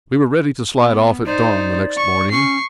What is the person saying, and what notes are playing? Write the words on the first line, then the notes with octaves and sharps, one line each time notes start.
We were ready to slide off at dawn the next morning.
B3
D#4 C5 D5
C#6
C#4 C#6 C7